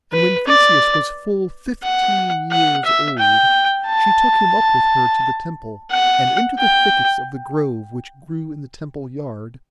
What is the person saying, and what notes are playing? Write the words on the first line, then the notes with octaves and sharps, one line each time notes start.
And when Theseus was full fifteen years old she took him up with her to the temple, and into the thickets of the grove which grew in the temple-yard.
B4
D5
F#5
F#5
E5
G5
A5
F#5
G5